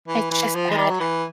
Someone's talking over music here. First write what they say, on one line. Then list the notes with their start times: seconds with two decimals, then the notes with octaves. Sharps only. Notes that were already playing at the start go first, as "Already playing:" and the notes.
It's just bad.
0.08 E3
0.31 E3
0.55 F3
0.71 G#3
0.78 G3
0.90 F#3
1.01 E3